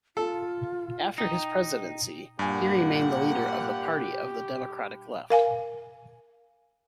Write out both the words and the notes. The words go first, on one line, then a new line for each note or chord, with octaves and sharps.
After his presidency, he remained the leader of the Party of the Democratic Left.
F4 A4
D#4 G5
G2 A#2 A#3 G4 F#5 G#5
A#4 F5 G#5